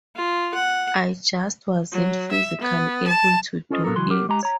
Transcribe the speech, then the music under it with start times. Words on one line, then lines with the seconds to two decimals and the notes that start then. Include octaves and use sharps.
I just wasn't physically able to do it.
0.16 F4
0.54 F#5
1.92 F#3
2.31 E5
2.61 B3
3.07 A5
3.70 C#4 F4 A4 C5 D#5
3.84 A#2 F#3 B3 A4 A#4
3.96 C#2 E3 F#3 C6
4.11 F#3 G4 A#4
4.29 G#3 G4 G#5 A#5
4.43 C#5 A#5